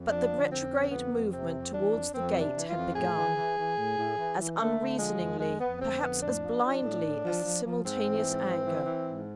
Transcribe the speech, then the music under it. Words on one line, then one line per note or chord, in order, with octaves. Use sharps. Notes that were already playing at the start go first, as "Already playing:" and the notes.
But the retrograde movement towards the gate had begun--as unreasoningly, perhaps as blindly, as the simultaneous anger.
Already playing: F2
F3 D4
D3
F2 C4
D3
F2 B3
F2
C3 C4
F2
E3 D4
F2
F2 C4
C3
D4
E3
F4
F2
A2 G#4
E3
E3
E3
A2
A2
E3
E3
D3 A3
D3
F3 G#3
F2
F2 G#3
F2 B3
D3 C4
F2 B3
A2 D4
F3
F3
A2
A2
F3
F3
F3
G#2 C4
E3
G#2
E3
E3
E3
G#2